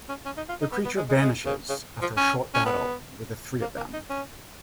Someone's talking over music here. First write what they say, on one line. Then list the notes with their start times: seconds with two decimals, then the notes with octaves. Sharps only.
The creature vanishes after a short battle with the three of them.
0.09 C#4
0.25 C#4
0.37 D#4
0.49 F4
0.61 D#4
0.73 B3
0.85 B3
0.97 G#3
1.09 G#3
1.21 G#3
1.46 C#3
1.69 C#3
2.02 F3
2.17 C#4
2.54 C#4
2.66 B3
3.62 A#3
3.77 A#3
3.93 D#4
4.10 C#4